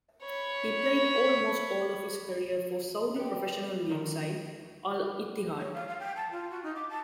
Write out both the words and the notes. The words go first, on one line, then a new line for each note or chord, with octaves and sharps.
He played almost all of his career for Saudi Professional League side Al Ittihad.
C#5 B5
B3 G4
D3 D#3 F3 G4 A#4
C#5
F5
F5
G5
A5
F4
F#4
D#4
D6
A5